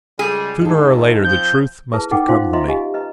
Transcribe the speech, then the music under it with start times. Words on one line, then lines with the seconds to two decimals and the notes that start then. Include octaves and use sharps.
Sooner or later the truth must have come to me.
0.19 C#2 G3 G#4
0.61 D#2 G#2 D#4 A4
1.24 F3 C4 G6
1.93 E4 G#4 B4 A5
2.11 D#4 A4 B4 F#5 G5 D6
2.28 C#4 D#4 F4 C5 F5 C6
2.53 F4 D#5 E5 A#5 C6
2.68 G4 D#5 F5 G#5
2.94 B4 D#5 A#5